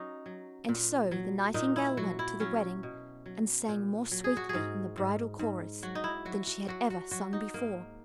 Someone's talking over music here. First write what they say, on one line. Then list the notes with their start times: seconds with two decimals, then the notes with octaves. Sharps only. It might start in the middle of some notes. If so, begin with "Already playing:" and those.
And so the Nightingale went to the wedding and sang more sweetly in the bridal chorus than she had ever sung before.
Already playing: F#3 C#4 D#4
0.26 F#3
0.69 A#2
1.11 F#3
1.54 A#2 D#4
1.76 E4
1.97 F#3 F#4
2.19 E4
2.40 F#3 C#4
2.83 B2
3.26 F#3
3.68 A#2
4.11 F#3
4.24 G#4
4.37 F#4
4.49 G#4
4.54 G#2
4.97 G#2
5.39 G#2
5.83 F#3 F#4
5.95 D#4
6.04 E4
6.25 F#3 F#4
6.47 F#4
6.68 F#3 F#4
6.90 F#4
7.11 F#3 F#4
7.33 D#4
7.54 G#2 A#3